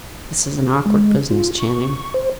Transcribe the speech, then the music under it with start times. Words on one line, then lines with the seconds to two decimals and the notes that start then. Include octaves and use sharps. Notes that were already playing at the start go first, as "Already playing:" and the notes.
"This is an awkward business, Channing."
0.86 G#3
1.31 F4
1.58 C#6
2.14 C5